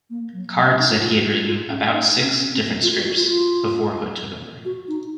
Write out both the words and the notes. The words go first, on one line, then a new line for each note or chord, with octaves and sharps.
Card said he had written "about six" different scripts before Hood took over.
A#3
F#3
F#3
C#4
D#4
F4
F4
F#4
F4
F4
C#4
D#4
C#4
C#4
C4
F4
F#4
F#4
F4
F4
F#4
D#4